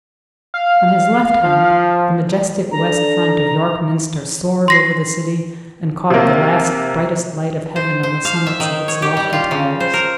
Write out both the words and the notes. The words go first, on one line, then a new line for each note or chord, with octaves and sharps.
On his left hand, the majestic west front of York Minster soared over the city and caught the last brightest light of heaven on the summits of its lofty towers.
F5
F3
D4 A4 A#5
C6 A#6 C7
C3 A#3
C5
C5
F5
E5
D#3
C#5
G4
G3
F4
C#3
C5
A#4